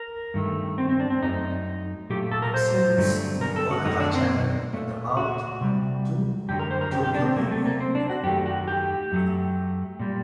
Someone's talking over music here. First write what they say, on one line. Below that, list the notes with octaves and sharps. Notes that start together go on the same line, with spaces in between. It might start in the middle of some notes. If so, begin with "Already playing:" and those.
Vincennes in Uraga Channel at the mouth to Tokyo Bay.
Already playing: A#4
G2 D#3 A3
C4
C4
D4
C4
F#2 F#3 A3 D#4
A#2 F#3 A3 G4
A4
A#4
C5
G2 D3 F#3 A3
A#4
A4
F#4
F#2 D#3 F#3 A3 D#4
D4
C4
A#2 A3
F#4
C3 G3
F#2 D3 F#3 A3 G4
A#4
C5
A#4
G4
G4
D4
C4
C3 F#3 A3 A#3
A3
A#3
C4
D4
F#4
F#2 D#3 A3 G4
F#4
G4
F#2 F#3 A3
A#2 G3